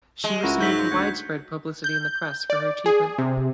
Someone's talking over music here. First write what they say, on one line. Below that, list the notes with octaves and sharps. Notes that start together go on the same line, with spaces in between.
She received widespread publicity in the press for her achievement.
G#3
C#2 E4 F#4 A#4
G#2 F#3 G6 B6
F4
D2 C#5 F#5
G6
D5
G#4
C3